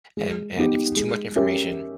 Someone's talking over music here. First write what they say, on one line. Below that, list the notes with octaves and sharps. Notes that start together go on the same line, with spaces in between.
And and if it's too much information,
G#3
B3 D#4 G4
G#3
C#4 G4 A#4 E5